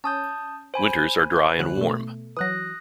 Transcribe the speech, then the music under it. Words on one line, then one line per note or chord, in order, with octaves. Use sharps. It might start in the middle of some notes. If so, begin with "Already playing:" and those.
Winters are dry and warm.
C#4 A5 D#6 G6
C5 G#5 B5
D2 F#3 F#6
B2 A3
E3 F#3 D#6 F#6 A#6